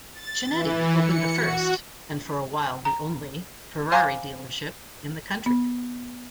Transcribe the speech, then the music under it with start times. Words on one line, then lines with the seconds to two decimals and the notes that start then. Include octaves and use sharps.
Chinetti opened the first-and for a while the only-Ferrari dealership in the country.
0.14 A6
0.50 E3
0.97 C#7
1.35 F#4
2.85 A#5
3.92 C5 F5 G#5 A#5 C6 D6
5.46 B3